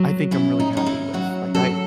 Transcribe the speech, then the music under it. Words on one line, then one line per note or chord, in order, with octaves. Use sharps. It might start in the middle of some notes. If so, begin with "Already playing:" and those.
I think I'm really happy with, like, I
Already playing: F#3
C#4 E4
D#4
C#4 D#4
E4
F#3 F#4
F#3 A4